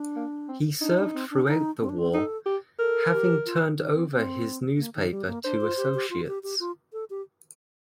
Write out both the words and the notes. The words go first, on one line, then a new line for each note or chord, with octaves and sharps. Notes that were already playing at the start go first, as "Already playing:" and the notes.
He served throughout the war, having turned over his newspaper to associates.
Already playing: D4
A#3
C4
D4 D#4
D4
C4
D4
D#4
C4
D4
C4
D#4 A4
G4
A4 A#4
G4
F4
D#3
C4
C4
A#3
D#3
G3
A#3
D4 C5
F4
G4
G4
F4
G4
G4
F4
A4
G4